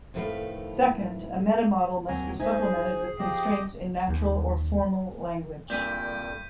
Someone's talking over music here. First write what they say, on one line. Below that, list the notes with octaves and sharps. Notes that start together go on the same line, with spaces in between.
Second, a meta model must be supplemented with constraints in natural or formal language.
F2 A2 D#3 A3 B4 F5
D#2 F#3 C4 G#5 A#5
G#3 D#4 C5 E5 G#5
G#4
F3 G4 D#5 G5
D#2
G2 A#2 D3 D5 G5 G6 B6 D#7